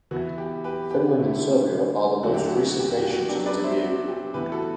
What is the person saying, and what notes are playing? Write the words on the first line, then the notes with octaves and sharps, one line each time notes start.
Finland and Serbia are the most recent nations to debut.
E3 B3 E4 F#4
G4
G4 B4
G4
D3 A3 E4
D3 F#3 A3 E4 F#4
G4
F#4
G4
F#4
G4
F#4
G4
F#4
F#3 B3 D4 G4
B4 D5
C5 E5
F#4
G4
A2 E3 B3 E4 G4 B4
F#4 A4